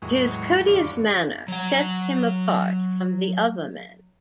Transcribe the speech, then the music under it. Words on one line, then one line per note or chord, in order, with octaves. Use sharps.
His courteous manner sets him apart from the other men.
E2 A2 D#3 F#3 G#3 C#6
F#2 D3 E3 C#5 D5 F5
F#3 F#5